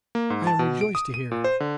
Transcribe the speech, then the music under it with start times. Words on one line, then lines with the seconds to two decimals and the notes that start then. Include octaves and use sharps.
I am rejoiced to hear it.
0.15 A#3
0.30 G#2
0.47 A5
0.59 B2
0.81 D7
0.95 D#6
1.14 D#7
1.31 A#2
1.44 C5
1.60 D3